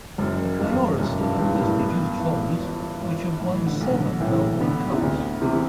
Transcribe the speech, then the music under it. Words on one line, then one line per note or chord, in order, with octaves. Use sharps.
The Kia-Ora Stud has produced foals which have won seven Melbourne Cups.
F#1 F#2
E2 G2
B1 F#2
G2
B1 G2
A2
G2
B3
E3
G1
G1
A2 E3
D3
B1
D3
A2 E3
D3 B3
C3
D2 D3
C3 E3